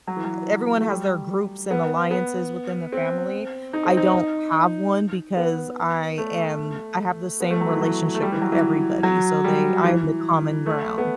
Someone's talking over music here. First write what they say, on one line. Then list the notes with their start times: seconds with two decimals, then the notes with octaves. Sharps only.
everyone has their groups and alliances within the family, I don't have one because I am I have the same relationship with everybody, so they I'm the common ground.
0.07 F#3
0.17 E3
0.24 F#3
0.80 A3
0.88 G3
1.71 B3
2.11 B3
2.92 C4
3.73 D#4
3.85 C4
3.97 D#4
5.37 B3
6.18 A3
7.40 B3
7.50 A3
7.61 F#3
7.70 E3
7.81 F#3
8.15 A3
8.22 G3
8.32 E3
8.41 F#3
8.52 E3
9.03 F#3
9.44 G3
9.84 E3
10.66 A3
10.98 B3